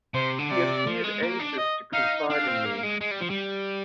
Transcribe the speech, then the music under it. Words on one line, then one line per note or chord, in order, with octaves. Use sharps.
He appeared anxious to confide in me.
C3 C5
D3
C3 D5
F3
G#3
A#3
D4
D#5
D#4 F5
D4 F5
C4
A#3
G#3
G#3
G3
F3
G3